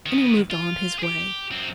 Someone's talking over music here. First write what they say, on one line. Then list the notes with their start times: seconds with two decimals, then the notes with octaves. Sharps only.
And he moved on his way.
0.06 D#3 B3
0.50 F4
0.99 G4 G#4
1.51 F#2 C4